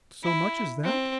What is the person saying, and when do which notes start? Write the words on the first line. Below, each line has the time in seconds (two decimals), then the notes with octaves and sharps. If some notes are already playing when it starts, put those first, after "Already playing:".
"So much as that?"
0.24 E4
0.84 C4